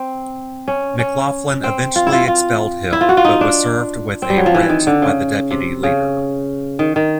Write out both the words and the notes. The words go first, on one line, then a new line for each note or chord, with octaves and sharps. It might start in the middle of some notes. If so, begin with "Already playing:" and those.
McLaughlin eventually expelled Hill but was served with a writ by the deputy leader.
Already playing: C4
C#4
C#4
C4
F4
E4
F4
F4
E4
F4
F#4
F4
D#4
D4
C4
G3
F#3
F3
E3
D#3
D3
C#3
C3
C#3
D#3
D#3